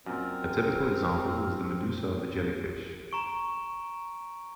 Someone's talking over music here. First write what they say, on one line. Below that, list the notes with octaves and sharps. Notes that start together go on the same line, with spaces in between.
A typical example was the medusa of the jellyfish.
F#2 A#2 C4 A#4
A#5 C#6 D7